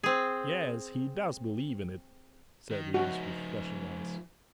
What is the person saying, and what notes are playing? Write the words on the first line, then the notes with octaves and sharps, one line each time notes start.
"Yes, he does believe in it," said Lise, with flashing eyes.
C4 G#4
D#3
F3 D#4 F#4